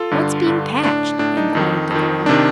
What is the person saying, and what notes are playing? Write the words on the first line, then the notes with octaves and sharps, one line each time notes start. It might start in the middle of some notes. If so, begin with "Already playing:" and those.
"What's being patched?" inquired the girl.
Already playing: F4 A4
G2 D3
G2 D3
A2 D4
A2 D4
D#4
F2 D#3
F2
D#3
C3 D#3 D4